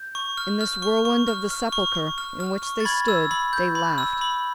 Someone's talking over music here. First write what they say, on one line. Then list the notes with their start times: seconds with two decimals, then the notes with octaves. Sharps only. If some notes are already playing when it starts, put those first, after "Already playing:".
In this whirlwind of the sepulchre in which they stood, they laughed.
Already playing: G6
0.15 C#6
0.37 F6
0.61 F6
0.82 C#6
1.05 C#6
1.28 F6
1.51 F6
1.72 C#6
1.95 C#6
2.18 F6
2.40 F6
2.63 C#6
2.80 A6
2.85 B5 G#6
3.08 E6
3.31 B5
3.53 G6
3.75 B5
3.98 E6
4.21 B5